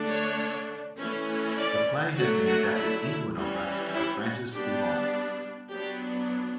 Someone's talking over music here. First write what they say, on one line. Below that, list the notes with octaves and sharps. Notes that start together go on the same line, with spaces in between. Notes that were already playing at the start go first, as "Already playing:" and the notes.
The play has been adapted into an opera by Francis Poulenc.
Already playing: D3 A3 D4
C#5
E3 A3 C#4
D5
F#3 A3 D4 F#4
F#4
E4
E3 G3 C#4
E4
F#4
G3 B3 D4 G4
F#3 B3 D4 G4